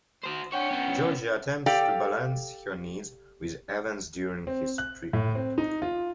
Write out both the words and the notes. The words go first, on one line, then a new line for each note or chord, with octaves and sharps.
Georgie attempts to balance her needs with Evan's during his treatment.
F#4 C5
D4 C#5 F#5 G5
B3 C#4
G4 A4 D5 F5 G5
C4
F#6
A2
C4
D#4
F4